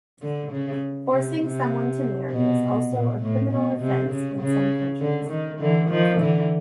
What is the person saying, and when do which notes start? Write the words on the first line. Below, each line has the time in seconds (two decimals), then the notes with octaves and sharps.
Forcing someone to marry is also a criminal offense in some countries.
0.22 D3
0.51 C#3
1.12 C3
1.42 C3
2.31 B2
2.91 A#2
3.21 A2
3.51 B2
3.81 C3
4.11 C#3
4.41 C#3
5.00 D3
5.30 D#3
5.60 D3 E3
5.90 D#3 F3
6.20 D3 E3